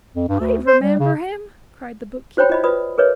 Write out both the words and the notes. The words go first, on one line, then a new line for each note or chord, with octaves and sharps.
"I remember him!" cried the bookkeeper.
F2
G2
D2
C5
G3
C#3
F#4 C5 C#5 G5 B5
F4 D#5 B5
F4 B4 D5 B5 D#6
G#4 A#4 B4 C#5 D#5 E5